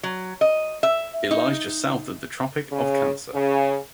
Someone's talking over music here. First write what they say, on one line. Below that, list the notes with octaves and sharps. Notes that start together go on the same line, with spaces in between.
It lies just south of the Tropic of Cancer.
F#3
D#5
E5
D#4
C#3
C#3